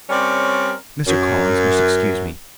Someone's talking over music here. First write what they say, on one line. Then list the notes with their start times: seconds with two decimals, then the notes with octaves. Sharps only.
Mr. Collins must excuse me.
0.10 G3 C4 C#4 A#4 C#5 D5
1.08 F#2